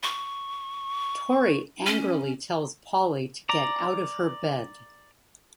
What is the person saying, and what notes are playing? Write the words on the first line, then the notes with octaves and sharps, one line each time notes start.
Tori angrily tells Paulie to get out of her bed.
C#6
C#4
D5 A#5